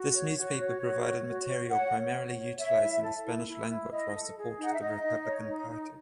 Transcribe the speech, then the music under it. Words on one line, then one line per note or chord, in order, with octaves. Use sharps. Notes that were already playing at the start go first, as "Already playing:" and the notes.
This newspaper provided material primarily utilizing the Spanish language while supported the Republican Party.
Already playing: F#4
C#5
F#4
C#5
F#4
C#5
F#4
C#5
C#5 F#5
C#5
C#5
C#5
C#5 E5
E4
A4
E4
E4
E4
E4 D#5
A4
G#4
D#4
F#5
E5
D#4 D#5
D#4
C#5
D#4
D#4